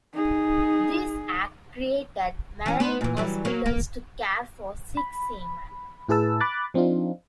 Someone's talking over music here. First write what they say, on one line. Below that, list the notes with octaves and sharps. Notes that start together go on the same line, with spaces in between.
This act created Marine Hospitals to care for sick seamen.
D#4 G#4
E3 C#4
B3 C5
A#2 E3
E3 F#3 G3
F#3 A#3
A#3
B5
A2 E4 G#4 B4 A5 E6
B5 D6 F#6 A6
F3 C4 D4 D#4 F4